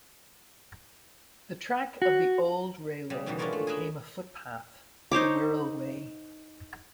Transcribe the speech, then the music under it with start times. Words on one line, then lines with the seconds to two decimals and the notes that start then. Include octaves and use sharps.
The track of the old railway became a footpath, the Wirral Way.
2.02 F#4
3.10 C#3 G3
3.26 G#2 B2 D#3 E3 F#3 G3
3.38 C#4 D4 E4 F4 A#4 C#5
3.53 A3
3.67 G#4 A#4 B4 E5
5.11 D#4 C5 C#5 D6